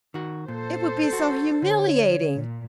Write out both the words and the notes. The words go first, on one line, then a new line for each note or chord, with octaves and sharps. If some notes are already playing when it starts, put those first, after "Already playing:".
It would be so humiliating.
D#3 F#4
A#2 A4 C5
F#4
D3 C#5
A#2